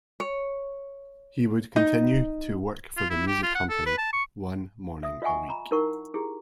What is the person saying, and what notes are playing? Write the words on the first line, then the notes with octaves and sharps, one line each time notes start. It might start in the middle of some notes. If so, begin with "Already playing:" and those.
He would continue to work for the music company one morning a week.
C#5
D#4
F4
E4
G4
F4
F#5
A4
B4
A5
C#6
E5 D#6
F4 D#5 E5 F#5 G#5 C#6
A#5 B5
D#4 E4 A#4 F#5 C#6
E4 G4 G#4